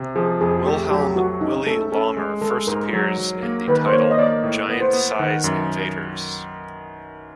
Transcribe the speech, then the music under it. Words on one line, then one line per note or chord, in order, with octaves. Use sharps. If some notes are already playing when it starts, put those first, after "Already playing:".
Wilhelm "Willie" Lohmer first appears in the title "Giant-Size Invaders".
Already playing: C3
F3 G#4
F2 G#4
A3 G4
F#3 G4
A3 F#4
C#4 D#4
A3 A4
C#4 A4
G#3
G#3 A4
G#2 A#4
F#3
F#3
A#3
D#3 B4
C5
A#3 C#5
D#5
A#3 D5
A2
B3
C5
B3
D#3 F#5
F#2